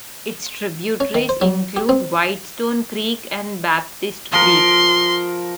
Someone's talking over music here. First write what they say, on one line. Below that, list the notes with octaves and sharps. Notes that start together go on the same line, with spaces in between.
Its tributaries include White Stone Creek and Baptist Creek.
C#4
D#3
C5
F#3
G4
C4
F3 A#4 C6